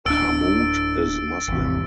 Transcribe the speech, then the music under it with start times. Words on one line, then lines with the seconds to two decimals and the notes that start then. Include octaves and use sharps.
Hammoud is Muslim.
0.06 D1 D4 E6 A6 D7
1.48 G#1 E2 C3